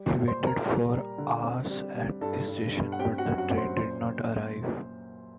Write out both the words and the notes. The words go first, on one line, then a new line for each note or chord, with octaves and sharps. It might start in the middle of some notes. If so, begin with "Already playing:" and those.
He waited for hours at the station, but the train did not arrive.
Already playing: G3
A#2
C5 C6
A#2
A#4 A#5
G3
G3
D3
C4
G3
G3
G2 A4 A5
G2
G2
F#5
C4 G4 G5
F#4 F#5
F#2
F#4 F#5
F#2
C5 C6
A#2 C5 C6
A#2